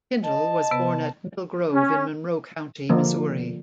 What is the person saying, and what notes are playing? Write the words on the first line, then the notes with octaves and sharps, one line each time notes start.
Pindall was born at Middle Grove in Monroe County, Missouri.
D#5 A5
C3 B3 B4
C#4
D3 F3 A#3